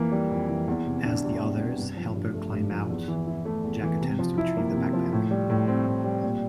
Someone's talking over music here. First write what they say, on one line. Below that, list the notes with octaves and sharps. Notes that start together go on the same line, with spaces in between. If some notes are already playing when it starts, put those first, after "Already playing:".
As the others help her climb out, Jack attempts to retrieve the backpack.
Already playing: F2 E3 A#3
G3
F2
E3
E2
C3
D4
G3
E2
C3
G2
F3
G2
A3
G2
F3
E2
E3
E4
A3
E2
E3
C3
F3
E4
A#3
C3
F3
A2
G3
A2
C4
A2
G3
A#2